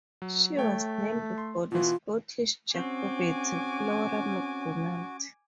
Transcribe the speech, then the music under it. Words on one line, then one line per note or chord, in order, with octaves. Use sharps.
She was named for the Scottish Jacobite Flora MacDonald.
F#3
A3 C#5 G5
C6
B2 E3 F4
C4 C#4 F#4 G#5 D6